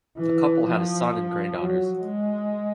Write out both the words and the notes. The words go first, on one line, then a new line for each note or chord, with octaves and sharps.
The couple had a son and granddaughters.
E3
F3
F#3
G#3